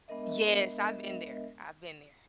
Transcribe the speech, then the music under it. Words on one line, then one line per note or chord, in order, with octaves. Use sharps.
Yes, I've been there. I've been there.
G#3 B3 D4 A#4 D#5 E5